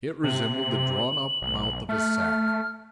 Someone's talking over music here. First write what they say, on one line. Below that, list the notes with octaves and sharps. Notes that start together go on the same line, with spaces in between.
It resembled the drawn-up mouth of a sack.
C3 F#7
B1
A3 F6